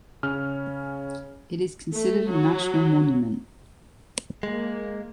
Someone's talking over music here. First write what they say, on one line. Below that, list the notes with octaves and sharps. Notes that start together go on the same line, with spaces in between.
It is considered a national monument.
C#3 C#4 F6
A3
F#3
G#3 A#3